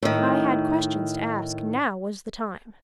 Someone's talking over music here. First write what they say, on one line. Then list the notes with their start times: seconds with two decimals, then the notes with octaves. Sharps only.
If I had questions to ask, now was the time!
0.03 A2 D#3